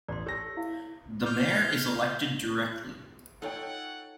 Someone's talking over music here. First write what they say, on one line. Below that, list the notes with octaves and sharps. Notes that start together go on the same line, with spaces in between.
The mayor is elected directly.
A1 D5 C6
G4 A4 C#5 D#6 A#6
E4 E5 F5
F6 G6
D#4 F4 A4 C#5 F#5 G5